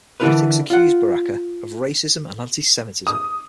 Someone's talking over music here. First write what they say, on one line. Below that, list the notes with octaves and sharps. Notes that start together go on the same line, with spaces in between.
Critics accused Baraka of racism and anti-Semitism.
D3 E3 D4 E4 A#4 B4
F4 F#5
D#6